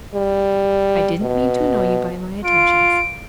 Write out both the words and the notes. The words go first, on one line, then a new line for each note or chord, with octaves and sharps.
I didn't mean to annoy you by my attentions.
G3
B2
F4 D7